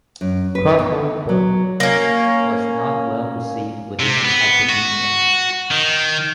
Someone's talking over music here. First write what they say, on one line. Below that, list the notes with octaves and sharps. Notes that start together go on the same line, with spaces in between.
Crawford's book was not well received within academia.
F#2
B4
B3
F#3
A#3 C#4
C3
B3
F#4
D#3